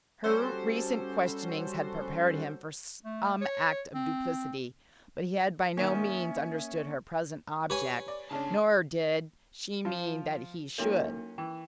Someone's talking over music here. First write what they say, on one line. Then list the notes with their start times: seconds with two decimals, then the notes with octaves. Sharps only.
Her recent questionings had prepared him for some act of duplicity, but he had by no means understood her present object, nor did she mean that he should.
0.24 G3 C#4 F#4 A4 C5
3.05 A3
3.41 C#5
3.95 C4
5.77 D#3 A#3 B3 C#4 E5
7.70 G4 B4 C#5 G#5
8.08 D5
8.31 D2 C#3 C#4 D4 A5
9.85 F3 F4
10.78 F#3 A#3 C#4 D#4 A#4
11.38 E3 G5